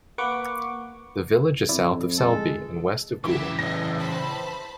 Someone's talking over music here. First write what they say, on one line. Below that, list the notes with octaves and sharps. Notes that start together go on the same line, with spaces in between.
The village is south of Selby and west of Goole.
A#3 B4 F#5 C#6 D6
F2 E4 D5
G#3 A4
C#3 E3 G4 E5
E2 A2 D#5 A#6
C5 A5 B5